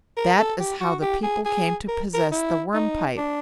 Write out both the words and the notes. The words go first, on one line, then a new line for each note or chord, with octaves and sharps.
That is how the people came to possess the Worm Pipe.
A#4
A4
G4
F#4
G4
G#4
G#4
A#4
A#4
E4
D#4
D4